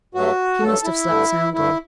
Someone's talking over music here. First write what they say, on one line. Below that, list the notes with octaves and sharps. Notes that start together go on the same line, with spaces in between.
He must have slept soundly.
G2 F#3 A3 F#4
G2 F#3 A3 A4
E4
G2 D3 A3
G2 D3 A3 E4